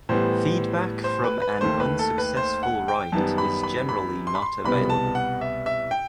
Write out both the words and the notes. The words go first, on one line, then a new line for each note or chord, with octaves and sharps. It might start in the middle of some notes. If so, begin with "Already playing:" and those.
Feedback from an unsuccessful write is generally not available.
A2 E3 G3 B3 C5
C5
B4
B4
D#2 D#3 A3 C5
B4
A4
B4
C5
F#5
G5
F#2 D#3 G3 B3 A5
B5
B5
B5
C6
B5
C6
C2 B2 G3 B3 B5
A5
F#5
E5
E5
G5